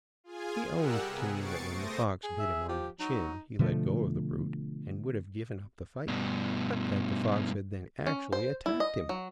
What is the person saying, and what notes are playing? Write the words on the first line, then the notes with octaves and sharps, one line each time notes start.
He owned to me that when the fox bit him on the chin, he let go of the brute, and would have given up the fight, but that the fox had then actually attacked him.
F4 G#4 G#5
G3 G4 A#4 F#5 E6 F#6
C3 B3 G#4
C#6 A6 C7 D7
A3 C5 D#6 A#6
G#4
E5
F3 G4
F#3 D#4
B2 D3 F3 A3
G2 B2
C#4
C5
E4
D#5
F#3